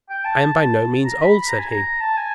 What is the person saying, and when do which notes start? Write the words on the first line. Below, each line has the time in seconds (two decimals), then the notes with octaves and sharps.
"I am by no means old," said he.
0.10 G5
0.25 A5
1.04 A#5
1.22 B5
1.47 A#5
1.59 G#5
1.69 A#5
2.00 A5
2.17 G#5